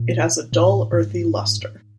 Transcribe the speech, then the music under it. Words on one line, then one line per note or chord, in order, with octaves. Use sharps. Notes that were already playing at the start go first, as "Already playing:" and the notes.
It has a dull, earthy lustre.
Already playing: A#2
A2
A2
G#2